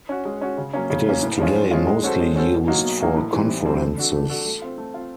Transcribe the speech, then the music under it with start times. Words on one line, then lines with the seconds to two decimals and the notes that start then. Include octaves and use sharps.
It is today mostly used for conferences.
0.09 C#4 F#4
0.25 G#3
0.41 C#4 F#4
0.58 C#3
0.73 F#3 A#3 C#4
0.90 C#3
1.06 F#3 A#3 C#4
1.22 A2
1.38 F3 G#3 C#4 F4
1.55 A2
1.71 F3 G#3 C#4 F4
1.87 G#3
2.04 C#4 F#4 A4 C5
2.19 G#3
2.35 C#4 F#4 A4 C5
2.52 B2
2.68 F#3 A#3 D#4 F#4
2.84 B2
3.00 F#3 A#3 D#4 F#4
3.16 A2
3.32 E3 G3 C4
3.49 A2
3.65 E3 G3 C4
3.81 A3
3.97 D4 F#4 A4
4.13 A3
4.29 D4 F#4 A4
4.46 A3
4.62 C4 F4
4.78 A3
4.94 C4 F4